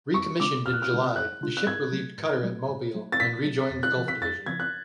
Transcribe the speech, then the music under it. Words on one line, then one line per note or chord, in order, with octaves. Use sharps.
Recommissioned in July, the ship relieved cutter at Mobile and rejoined the Gulf Division.
F2 C#6
C#3 G#3 D4 F4 D6
F2 F6
F#6
F6
C#3 G#3 D4 F4
F2 F#6
C#3 G#3 D4 F4
F#6
G#2 G#6
F#3 A3
G#2
F#3 A3
G#2
F#3 A3
A6
G#2 B6
F#3 A3
F2
F#6
C#3 F3 B3
B6
F2 A6
C#3 F3 B3 G#6
F#6